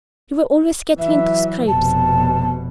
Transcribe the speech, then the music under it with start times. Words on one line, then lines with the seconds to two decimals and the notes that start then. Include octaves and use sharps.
You were always getting into scrapes.
0.99 E3 F#3 E5
1.67 F1 B2 A5